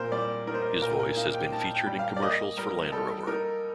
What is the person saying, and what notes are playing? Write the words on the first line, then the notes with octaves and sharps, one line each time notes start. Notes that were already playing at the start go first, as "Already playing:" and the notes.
His voice has been featured in commercials for Land Rover.
Already playing: A#2 C4 A#4 C5
G3 D5
D#4 A#4
C5
A#4
A#2 A#4
A#4
D#4 F5
G5
D#4 A5
G5
G3
F5
D5
A#3 D#5
G3 A#4
G3 A4
D#4 A#4